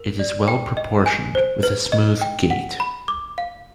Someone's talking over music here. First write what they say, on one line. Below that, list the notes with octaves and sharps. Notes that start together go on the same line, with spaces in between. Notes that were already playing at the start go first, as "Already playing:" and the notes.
It is well proportioned, with a smooth gait.
Already playing: A#4
D5
G5
D#5
G#5
C5
B4
D#5
G5
F#5
B5
D6
F5